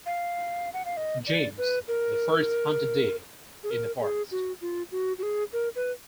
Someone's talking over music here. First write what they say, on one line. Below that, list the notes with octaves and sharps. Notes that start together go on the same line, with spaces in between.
James the First hunted deer in the forest.
F5
F#5
F5
D#5
D5
B4
A#4
G#4
A#4
G#4
F#4
F4
F#4
F#4
G#4
A#4
B4